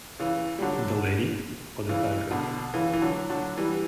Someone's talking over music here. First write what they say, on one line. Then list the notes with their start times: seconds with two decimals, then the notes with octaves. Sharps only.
The Lady, or the Tiger?
0.19 C#3 E3
0.59 G3
0.62 D3 F#3
1.89 C#3 E3
2.31 B2 D3
2.74 C#3 E3
2.93 E3
3.01 D3 F#3
3.30 D3 F#3
3.57 E3 G3